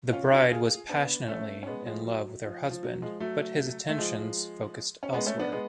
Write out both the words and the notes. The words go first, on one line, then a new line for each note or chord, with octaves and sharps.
The bride was passionately in love with her husband, but his attentions focused elsewhere.
C#4 F4
D4 F#4
F4 G#4
B3 D4
A3 C#4
C#4
G#3 B3
F3 G#3
F#3
F3
F3
F#3
F3 G#3
F#3 A3
A3
F3 G#3
C#4
G#3 B3
A3 C#4
B3 D4
G#3 B3